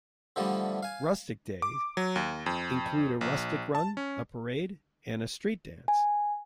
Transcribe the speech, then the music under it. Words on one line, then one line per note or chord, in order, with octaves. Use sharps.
Rustic Days include a Rustic Run, a parade, and a street dance.
D3 E3 F3 G3 A3 B3
F5 G#5
D6
F#3
D#2
F2
A#1
A5
C#4
G#5